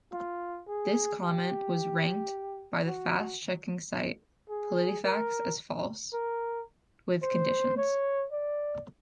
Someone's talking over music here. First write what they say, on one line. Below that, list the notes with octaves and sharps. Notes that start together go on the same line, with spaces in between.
This comment was ranked by fact-checking site PolitiFact as false, with conditions.
F4
G#4
G4
F#4
G#4
A#4
A#4
C5
C#5
D5